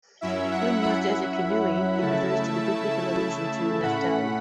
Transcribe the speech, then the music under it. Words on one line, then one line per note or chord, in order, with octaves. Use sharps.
When used as a kinnui, it refers to the Biblical allusion to Naphtali.
F#2 F#3 C#4 E4 E5
F#5
F#5 B5
C#3 A3 E4 E5 A5
A2 A3 C#4 F#5 B5